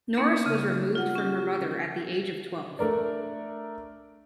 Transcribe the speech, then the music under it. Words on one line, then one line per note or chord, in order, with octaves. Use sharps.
Norris was removed from her mother at the age of twelve.
A#3 B3 C#4 D#4
C#3
F4 F#5
C#4 G4
A3 D4 A#4 D5